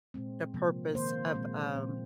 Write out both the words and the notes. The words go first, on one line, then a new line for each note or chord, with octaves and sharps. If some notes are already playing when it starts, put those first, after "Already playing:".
the purpose of, um
A#2 G#3 C4
C3 F3 A#3
D#3 A#3 C5
A#2 G#3 C4
A#2 F3 C4